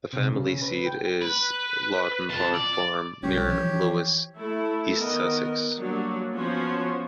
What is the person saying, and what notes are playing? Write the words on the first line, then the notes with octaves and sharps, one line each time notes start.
The family seat is Laughton Park Farm, near Lewes, East Sussex.
C3
C#3
B4
G5
B4
F2 A5
D5
B1 G3 C#4 G4 C#5
E3 F3
A3 E4 A4
D#3 B3 A#4 D#5
F#3 G3 A#3 D4 C#5 D5
F3 B3 C#4 F#4 C5 C#5